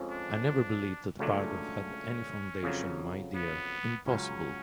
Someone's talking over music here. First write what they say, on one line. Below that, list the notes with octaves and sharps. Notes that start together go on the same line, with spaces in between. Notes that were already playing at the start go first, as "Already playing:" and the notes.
I never believed that the paragraph had any foundation, my dear — impossible.
Already playing: F2 F3 G#3 C#4
D4
C#2 C#3 F#3 A3 C#4 D4
F2 C#3 F#3
B3
C#2 C#3 F#3 C#4